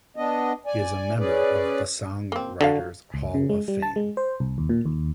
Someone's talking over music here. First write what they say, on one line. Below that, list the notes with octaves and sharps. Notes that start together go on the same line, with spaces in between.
He is a member of the Songwriters Hall of Fame.
B3 D4 D#5
D5 G#5
C#4 G#4 B4 D5
A#3 C4
D3 F#3 G4 F5
C#2
C#3
G#3
G3
A5
G#3
C5
C2
D#2
A#2
D#2